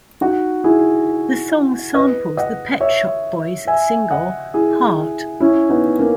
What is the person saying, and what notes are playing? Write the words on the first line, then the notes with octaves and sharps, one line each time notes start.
The song samples the Pet Shop Boys' single, "Heart".
D#4 F#4
E4 G#4
B4 D#5
D#5 F#5
C#5 E5
E5 G#5
D#5 F#5
E4 G#4
C#4 E4
B3 D#4
A#3 C#4